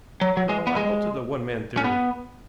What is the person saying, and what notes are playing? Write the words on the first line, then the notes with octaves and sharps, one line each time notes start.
"No, I hold to the one man theory."
F#3
F#3
G#3
B3
G#3
C#4
B3